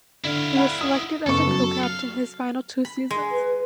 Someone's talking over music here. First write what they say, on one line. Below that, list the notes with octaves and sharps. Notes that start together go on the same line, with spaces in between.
He was selected as a co-captain his final two seasons.
D3 E4 F5
F#5 B5
D#6
F#1 B3 A4 C#6
F#3
F5
B5
G#3
B4